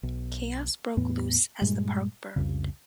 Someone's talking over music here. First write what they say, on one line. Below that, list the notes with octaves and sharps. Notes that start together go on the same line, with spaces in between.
Chaos broke loose as the park burned.
B1
E2 A2 B3
G2 A#2 G3 G#3
C2 F2 C#3